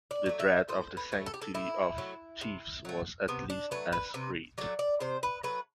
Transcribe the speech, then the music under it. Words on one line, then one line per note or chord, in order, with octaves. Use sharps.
The dread of the sanctity of chiefs was at least as great.
D5
F#3 A3
E5
A2 C5
B4
F#3 A3
A4
G4
A4
A2 E4
F#3 A3
C3
F#3 A3
C3 B3
D4
F#3 A3 B4
B4
C3 B4
F#3 A3 D5
D5
C3 C5
B4
F#3 A3 B4